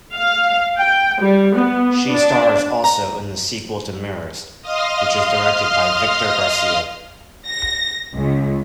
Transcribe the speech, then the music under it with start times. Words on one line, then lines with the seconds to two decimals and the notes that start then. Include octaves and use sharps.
She stars also in the sequel to "Mirrors", which is directed by Victor Garcia.
0.13 F5
0.78 G5
1.21 G3
1.56 B3
2.09 D4
2.84 A#5
4.61 D#5 F5 C6 D#6 F6
7.47 A#6
8.14 C#2